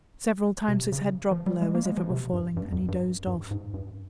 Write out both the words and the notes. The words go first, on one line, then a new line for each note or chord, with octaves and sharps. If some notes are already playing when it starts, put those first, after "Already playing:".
Several times his head dropped low as if it were falling and he dozed off.
C3
C#3
F3
G3
G#3
A#3
G#3
F3
C3
G2
G2
F2
G2
G2
G#2
G2